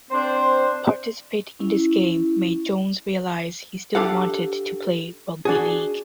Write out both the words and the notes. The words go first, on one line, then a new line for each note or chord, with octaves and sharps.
Participating in this game made Jones realise he still wanted to play rugby league.
C4 D4 C5
C#4 E4
D4 G4 A4 F5 F#5
D4 F#4 G#4